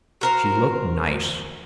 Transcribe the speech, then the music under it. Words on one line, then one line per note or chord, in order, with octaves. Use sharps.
She looked nice.
F#4 A#4 C5